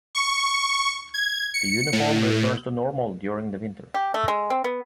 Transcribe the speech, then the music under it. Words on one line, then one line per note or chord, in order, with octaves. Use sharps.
The uniform returns to normal during the winter.
C#6
G#6
C#7
A2
G4
A3
G#3
C4
B3